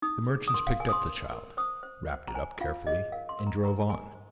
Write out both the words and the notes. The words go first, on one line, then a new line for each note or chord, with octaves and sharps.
The merchants picked up the child, wrapped it up carefully, and drove on.
D#4 D#6
G#4
D#6
A#4 C6
F5
A#4 G#5
D#6
C6
A#4
A#4
C5 D#6
C5
C5
A#5
C5 G#5
F4 F5
G#4 D#5
A#4 F5
C6
A#4
A#5
A#4 A#5
A#4 G#5
C5